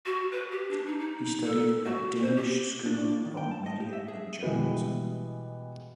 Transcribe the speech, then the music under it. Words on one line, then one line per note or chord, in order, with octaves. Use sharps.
He studied at Danish School of Media and Journalism.
F#4
B4
G4
D4
D#4
D#4
A4
F#4
C5
G4
D4
D5
A#3
D#3
G5
A5
D#5
G4
E5
G#4
B2 E3 G3 G#3 B3